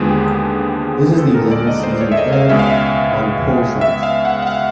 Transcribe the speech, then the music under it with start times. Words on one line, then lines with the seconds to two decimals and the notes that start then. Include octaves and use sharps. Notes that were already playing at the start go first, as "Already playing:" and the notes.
This is the eleventh season aired on Polsat.
Already playing: D#2 D3 F3 G#3 B3 G#4
0.08 G4
1.18 A4
1.34 A#4
1.52 D5
1.67 D#5
1.83 C5
2.01 C#5
2.12 E5
2.17 D#5
2.33 F5
2.49 C#2 B2 G#3 C#4 E5
2.59 F5
2.70 E5
3.81 E5
4.03 F5
4.25 F#5
4.42 F#5
4.47 F5